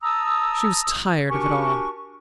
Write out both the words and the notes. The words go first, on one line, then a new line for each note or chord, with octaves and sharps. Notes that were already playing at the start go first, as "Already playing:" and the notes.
She was tired of it all.
A5 A#5 D#6 E6
D4 F#4 G4 A#4 G#5 C#6